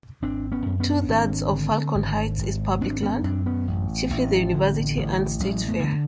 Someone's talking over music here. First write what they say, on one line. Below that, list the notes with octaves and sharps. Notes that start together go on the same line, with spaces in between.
Two-thirds of Falcon Heights is public land, chiefly the university and state fair.
G#1 C4 D4
B3 C#4
F#2
B3 C#4
G#1 C4 D4
D3
G#1
G#1
G#1 C4 D4
B3 C#4
F#2 C4 D4
B3 C#4
A1
A1
D3
A1
A1 F#3 G#3
A3 B3
D3